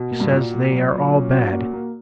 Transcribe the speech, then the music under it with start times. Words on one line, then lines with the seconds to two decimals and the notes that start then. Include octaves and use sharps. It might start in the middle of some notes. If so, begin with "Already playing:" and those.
He says they are all bad.
Already playing: B2 F#4
0.11 A#3
0.20 G2
0.31 A#2 F#4
0.51 F#4
0.72 F#3
0.92 F#3
1.13 C#4
1.32 F#4
1.52 A#3
1.73 A#3